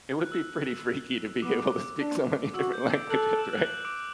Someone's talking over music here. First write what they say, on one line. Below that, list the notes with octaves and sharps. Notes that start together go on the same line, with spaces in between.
it would be pretty freaky to be able to speak so many different languages, right?
F#6
E6
B3 D6
D6
D4
F#4 E6
G6
D6 D7
A4 F#6 F#7
E6 E7
F#6 F#7
F#6 F#7
D6 D7